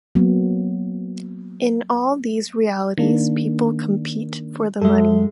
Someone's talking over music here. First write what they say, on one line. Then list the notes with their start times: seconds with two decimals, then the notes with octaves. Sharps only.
In all these realities people compete for the money.
0.15 F#3 A#3 B3
2.98 D#3 A#3 D4
4.81 F#2 G#3 A4 E5